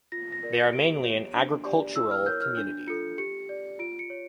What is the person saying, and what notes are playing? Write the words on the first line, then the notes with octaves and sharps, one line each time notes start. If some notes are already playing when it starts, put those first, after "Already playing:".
They are mainly an agricultural community.
F4 A#6
A#6
A#4 D5
C#7
G4 D7
C#5
D4
G4 D5
E4 E6
F6
A#4 C#5 G6
F6
D4 G6
F4 A4 C#7
G4 C#7
D5
F4 D7
C#7
C#5